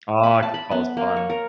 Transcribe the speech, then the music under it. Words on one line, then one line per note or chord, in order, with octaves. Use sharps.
Ah, kickball is fun.
B5
A5
B5
B3
A#3
C#5
A#4